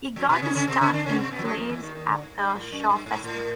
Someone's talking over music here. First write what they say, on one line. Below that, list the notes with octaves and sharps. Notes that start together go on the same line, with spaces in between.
He got his start in plays at the Shaw Festival.
F2 F3
B2 B3
C#3 C#4
C#3 C#4
C3 C4
C#3 C#4
D3 D4
C#3 C#4
B3
C3 C4
B2 B3
F3
F#2 F#3
F2 F3
E2 E3
D#2 D#3
D#2 D#3
D3
G#2
G2
A2
F#2
G2
G#2
A2